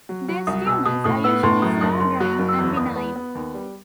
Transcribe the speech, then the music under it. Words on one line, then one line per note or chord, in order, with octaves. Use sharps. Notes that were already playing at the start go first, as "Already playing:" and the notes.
These tumors are usually slow growing and benign.
F#3
F#3
C2 D#6
B2 E6
B2 D#6
A2 D#6
B3 E6
A2 C6
F#2 D#6
F#1 D#6
F#1 C6
F#3 D#6
F#1
E6
E2
B3 D#6
B3
B3
D#2
G3